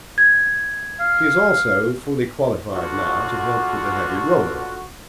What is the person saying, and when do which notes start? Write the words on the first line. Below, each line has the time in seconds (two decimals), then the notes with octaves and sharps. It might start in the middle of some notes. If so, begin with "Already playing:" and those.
She is also fully qualified now to help with the heavy roller.
0.18 G#6
1.00 F5
2.72 D3 F4 F#4